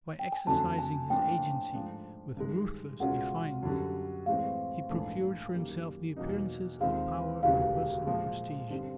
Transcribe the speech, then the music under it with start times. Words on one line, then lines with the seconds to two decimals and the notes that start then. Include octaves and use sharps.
By exercising his agency with ruthless defiance he procured for himself the appearances of power and personal prestige.
0.19 G5
0.32 G#5
0.47 F2 D3 F#3 A3 D4 A5
0.78 G#5
1.09 A2 F3 A#3 D4 F4 G5
1.73 G#2 F3 A3 D4
2.37 G2 D#3 G#3
3.00 C#2 B2 G#3 C#4 F4 F#5
3.63 F#2 D3 G3
4.26 A2 E3 G#3 C4 F5
4.90 A#1 G#2 E3 A3
5.54 F#2 D#3 G3 A#3
6.16 E2 B2 F#3 A#3 D#4
6.81 D#2 D#3 G#3 C4 F4 F5
7.43 E1 D2 C#3 E3 G3 F5
8.07 A#2 F3 G#3
8.70 G2 D3 G3 C4